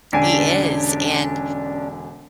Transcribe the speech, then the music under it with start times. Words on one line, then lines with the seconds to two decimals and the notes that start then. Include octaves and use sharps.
He is, and
0.13 E1 D3 C#4 D4 G4 G#5